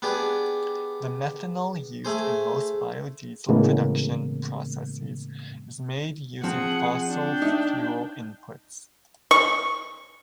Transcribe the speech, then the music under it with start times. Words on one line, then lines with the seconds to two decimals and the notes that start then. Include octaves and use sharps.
The methanol used in most biodiesel production processes is made using fossil fuel inputs.
0.02 B3 D4 G4 G#4
2.05 A3 G#4 C5
3.49 A2 C#3 E3 G#3 A#3 B3
6.44 F3 C4 G#4 F#5
7.09 D4 G5
7.42 D#4 E5
9.31 C#6